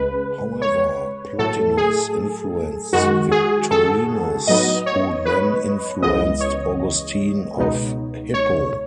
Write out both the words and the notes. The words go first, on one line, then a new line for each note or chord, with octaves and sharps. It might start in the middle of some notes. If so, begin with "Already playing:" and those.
However, Plotinus influenced Victorinus who then influenced Augustine of Hippo.
Already playing: C#2 C#3 G#3 B4
C#5
A2 F#3 A3 A4
G#4
F#2 D#3 G#3 F#4
G#4
A4
A2 F#3 B3 D#4 D#5
C#5
B4
C#2 C#3 E3 G#3 B3 D#5
C#5
C#2 B2 G#3 B3 D#4
C#5